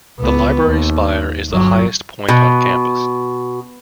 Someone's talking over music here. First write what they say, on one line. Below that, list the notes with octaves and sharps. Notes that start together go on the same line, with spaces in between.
The Library spire is the highest point on campus.
C#2 B3
D#2
G1 F#3
B2